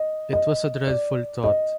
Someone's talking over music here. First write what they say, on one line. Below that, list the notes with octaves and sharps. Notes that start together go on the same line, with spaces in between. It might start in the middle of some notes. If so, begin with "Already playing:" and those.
It was a dreadful thought.
Already playing: D#5
D#5
D5
D#5